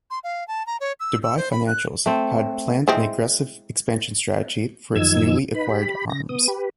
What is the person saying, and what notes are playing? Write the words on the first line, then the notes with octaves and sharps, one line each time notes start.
Dubai Financials had planned an aggressive expansion strategy for its newly acquired arms.
C6
F5
A5
A#5
C#5
E6
E6
C5
B5
F#6
A3 C4
G#3 C4 E4
F#2 D#3 F3 D#4 E6 G#6
D#4 B4 B5
G4 B5
C#3 A#6
B3 D#6
G4 B4